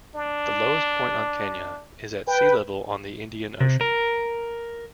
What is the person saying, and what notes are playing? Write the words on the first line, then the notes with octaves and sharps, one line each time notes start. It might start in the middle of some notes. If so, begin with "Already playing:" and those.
The lowest point on Kenya is at sea level on the Indian Ocean.
D4
B4 G5
C3
A#4